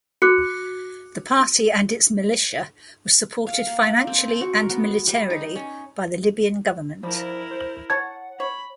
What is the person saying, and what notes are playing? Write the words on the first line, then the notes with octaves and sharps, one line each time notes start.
The party and its militia were supported financially and militarily by the Libyan government.
F#4 D6 F#6 C#7
F5
A#3
D5
C4
A5
F#4
A#4
B3
G3
D#4
C#4
F3 G3 E4 A#4
C5
C#5 F#5 A5 G#6
C#5 B5